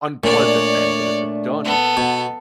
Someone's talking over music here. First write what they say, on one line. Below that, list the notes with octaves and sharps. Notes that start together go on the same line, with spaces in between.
unpleasant then, but if it's done
A#2 A3 D4 C#5 D5
B3 A4
B2